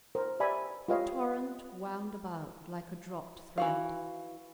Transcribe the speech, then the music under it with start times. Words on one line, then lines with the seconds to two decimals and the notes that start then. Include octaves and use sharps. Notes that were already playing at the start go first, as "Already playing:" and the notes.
A torrent wound about like a dropped thread.
0.15 A#4 C5
0.40 G4 B4 D5 E5 G#5 B5
0.88 F4 G4 B4 C#5 D#5 F5
3.58 E3 F#4 F5